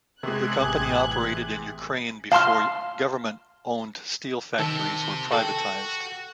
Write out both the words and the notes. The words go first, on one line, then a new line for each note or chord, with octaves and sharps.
The company operated in Ukraine before government-owned steel factories were privatized.
C3 G#3 B3 B5 C#6 F#6 G#6
A1 C3 G4 G#4 D#6
F5 A5 C6 F6
C3 D#3 A5 E6
F#4 A4 G5